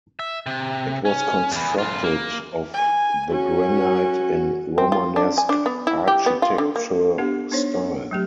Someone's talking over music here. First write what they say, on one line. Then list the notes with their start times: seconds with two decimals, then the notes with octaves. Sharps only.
It was constructed of the granite in Romanesque architecture style.
0.19 E5
0.46 C3
1.05 C#4
1.51 E2 E3
1.78 F#2 F4
2.04 A#3
2.74 G#5
3.31 C#4 F#4
4.78 C4
4.92 F4
5.16 D4
5.38 G#5
5.49 D4
5.66 B3
5.87 E4
6.08 G4
6.26 B3
6.42 F4
6.58 D3
6.76 A#3
7.18 B3 D4 G4 F5 F#5
7.52 B3 D4 D#4 C5 C#5
7.74 C#5
8.11 F#3 A3 G4